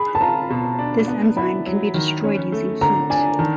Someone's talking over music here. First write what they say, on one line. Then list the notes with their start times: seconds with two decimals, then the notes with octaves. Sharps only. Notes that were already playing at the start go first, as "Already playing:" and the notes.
This enzyme can be destroyed using heat.
Already playing: G#4 B5
0.15 A5
0.21 F4 A#5
0.50 B2
0.79 D4
1.08 B3
1.37 E4 B5
1.66 F#3
1.94 D#3
2.24 C#4
2.52 A3
2.81 D3 A#5
3.10 D4 G#5
3.39 D#3 A5